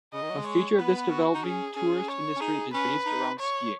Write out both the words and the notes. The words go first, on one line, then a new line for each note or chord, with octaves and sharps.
A feature of this developing tourist industry is based around skiing.
C#3 D#5
D#3
F#3
G#3
C#5
B3 B4
F#4
D#4
C#4 G#4
C#4 G#4
C#5
C#4
D#4 G#4
C#4 B4
D#4
C#5